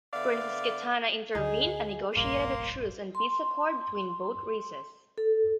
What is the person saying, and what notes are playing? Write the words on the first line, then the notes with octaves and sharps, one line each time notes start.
Princess Kitana intervened and negotiated a truce and peace accord between both races.
D3 B3 D5 E5 F5
D2 D3 D#4 G#4
F1 A#1 G2 A#3 C6
C6
A4